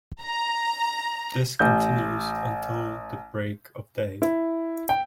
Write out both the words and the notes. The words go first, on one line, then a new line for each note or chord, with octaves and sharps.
This continues until the break of day.
A#5
A1 G6
E4
G5